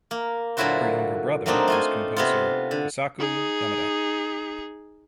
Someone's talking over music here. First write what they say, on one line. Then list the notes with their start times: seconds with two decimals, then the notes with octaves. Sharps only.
Her younger brother was composer Kosaku Yamada.
0.11 A#3
0.57 A#2 D3 F#3 E4 F#4 C5
1.46 F#3 A3 A#3 C4 D4 D#4
1.68 A3 F4 G#5
2.16 C3 B3 F4
2.71 D3
3.19 D#4 G#4